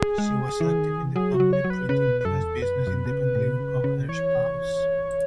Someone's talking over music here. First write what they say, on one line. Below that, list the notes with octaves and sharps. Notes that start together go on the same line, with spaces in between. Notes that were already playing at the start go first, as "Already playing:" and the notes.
She was active in the family printing press business independently of her spouse.
Already playing: G#4
G#3
E3
D#3
E3
F#3 G#4
F#4
F#3
C#5
F#3
B4
C#3 B4
B2
B4
F#2 A4
E2
F#2 B4
F#2
B2
C#3
A2
B2
C#3
C#3
E3 C#5